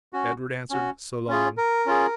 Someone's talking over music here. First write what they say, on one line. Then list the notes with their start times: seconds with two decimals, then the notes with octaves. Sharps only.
Edward answered: "So long."
0.13 C#4 F#4
0.70 C#4 F#4
1.28 C#4 F4 G#4
1.57 A#4
1.86 C#4 F4 G#4